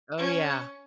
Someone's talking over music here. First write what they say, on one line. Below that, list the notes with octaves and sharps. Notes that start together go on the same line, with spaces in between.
Oh, yeah.
C#4